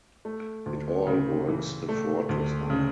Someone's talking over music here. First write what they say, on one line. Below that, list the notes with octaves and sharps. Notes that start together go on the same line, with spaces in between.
It all works effortlessly.
A3
D2
C#3
E3
A3
D2
C#3